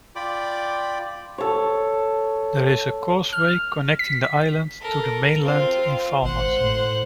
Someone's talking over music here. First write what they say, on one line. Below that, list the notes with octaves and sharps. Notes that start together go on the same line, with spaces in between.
There is a causeway connecting the island to the mainland in Falmouth.
F4 D5 G5 B5 D6
A4 C#5
F6
B6
A4 A#4
C4 F4
G#1 C5 F#5
A2